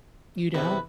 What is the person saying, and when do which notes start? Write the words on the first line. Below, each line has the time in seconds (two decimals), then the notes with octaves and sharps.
You don't?
0.54 E2 C3 B4